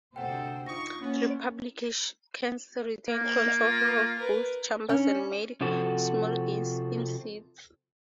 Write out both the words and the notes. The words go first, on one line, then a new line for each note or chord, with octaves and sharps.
Republicans retained control of both chambers and made small gains in seats.
D2 C3 D#4 A4 C5 F#5 G5
D#4 F4 C#6 D#6 A#6
A#3 B3 C#4
A#3
F4
A#4 B4
C#4
C3 F3 C4 F#4 A4